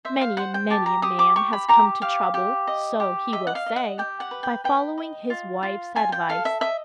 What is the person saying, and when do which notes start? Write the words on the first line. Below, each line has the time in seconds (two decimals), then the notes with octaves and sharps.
Many and many a man has come to trouble--so he will say--by following his wife's advice.
0.05 C5 E5
0.21 F5
0.37 C5 F#5
0.54 G5
0.70 G4 A5
0.86 A#5
1.02 G4 D#6
1.19 D6
1.36 G4 C#6
1.53 B5
1.68 G4 A#5
2.02 G4 F5
2.34 G4
2.67 D#5
3.00 G4
3.32 D#5 E5
3.47 F#5
3.55 F5
3.66 D#5
3.76 F#5
3.98 G4 G5
4.20 F#5
4.31 B4
4.43 G5
4.64 B4 G5
4.98 D#5
5.30 F4
5.63 F4
5.95 F4 G#5
6.12 G5
6.29 A4 F5
6.45 E5
6.61 D#5 E5